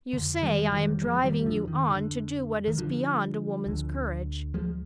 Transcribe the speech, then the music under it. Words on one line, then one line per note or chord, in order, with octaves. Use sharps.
You say I am driving you on to do what is beyond a woman's courage.
F2 D3
D#3 G3
D#3 G3
F3 G#3
D#3 G3
D3 F3
D#3
D3
D#3
D3 F3
D2 D3
F3 G#3